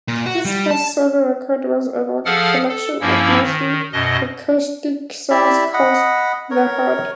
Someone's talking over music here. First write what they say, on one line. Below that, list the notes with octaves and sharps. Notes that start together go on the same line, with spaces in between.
His first solo record was a collection of mostly acoustic songs called The Heart.
A#2
F#4
G3
A5
F3 G#4 A4 F5 F#5 F6
A4
G2 F3 A#3 C#4 E4 E6
D#3
F#2 B2 D#5
E4 G4 D5 E5
D#5 F#5 B5
A#4 C#5